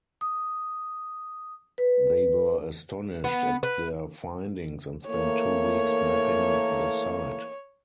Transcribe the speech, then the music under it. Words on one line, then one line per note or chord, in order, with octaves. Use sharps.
They were astonished at their findings and spent two weeks mapping the site.
D#6
B4
B3
B4
E3 A3 A#3 C#5